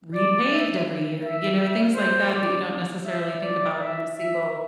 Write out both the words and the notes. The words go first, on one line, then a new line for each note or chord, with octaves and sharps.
repaved every year," you know, things like that, that you don't necessarily think about in a single-unit
D5
E5
E5
C5
D5
E5
D5
E5
E5